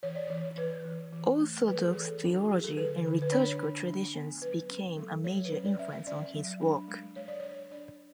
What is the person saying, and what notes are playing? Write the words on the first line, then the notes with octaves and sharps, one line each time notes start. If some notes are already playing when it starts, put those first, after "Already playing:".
Orthodox theology and liturgical traditions became a major influence on his work.
E3 C#5
D5
E3 C#5
E3 B4
E3
E3
A3
E3 B4
A4
G#4
E3 A4
D4 E4
F#4
F#3 G#4
A4
D3 B4
D3
B4
D4 C#5
D4
D4
B3
F#3 B4
C#4
F#3 A4
F#3 C#5
B4
C#4 C#5
D5
C#4 E5
E5
C#4 D5
F#3
D4
G#3
G#3 C#5
D5
D4 C#5
D4 D5